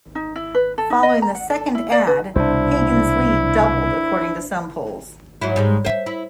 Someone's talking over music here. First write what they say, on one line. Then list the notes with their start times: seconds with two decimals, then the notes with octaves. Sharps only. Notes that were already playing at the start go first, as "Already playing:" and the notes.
Following the second ad Hagan's lead doubled according to some polls.
0.15 D#4
0.36 E4
0.55 B4
0.78 A4
0.90 D#4
1.03 D#5
1.22 A#5
1.35 F#5
1.50 A4
1.75 E4
1.92 D5
2.07 B4
2.36 C2 B2 D4 E4 C5
5.42 G#2 F#3 E4
5.56 G#2 G3 G#3
5.85 C5 E5
6.06 E4